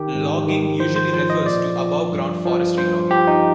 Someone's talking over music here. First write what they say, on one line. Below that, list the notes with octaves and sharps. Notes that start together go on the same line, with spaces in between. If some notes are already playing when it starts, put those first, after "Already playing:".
Logging usually refers to above-ground forestry logging.
Already playing: D#3 G4
G#2
D#3
F3 C5
C5
F3 C5
D#5
A#2 D5
F3
G2
F3
G2 C5
F3 G4
D#4